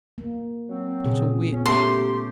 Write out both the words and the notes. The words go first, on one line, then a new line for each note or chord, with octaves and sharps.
"Not a whit."
A#3
F#3 C4
A#2 C#3 G#4
B3 C#4
A3 C#4 G4 A#4 C6